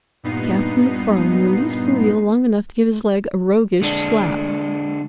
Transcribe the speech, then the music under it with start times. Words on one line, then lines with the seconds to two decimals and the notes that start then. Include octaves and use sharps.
Captain MacFarland released the wheel long enough to give his leg a roguish slap.
0.23 G2 A#2 B3 D#4 C7
3.82 D3 G#3 D4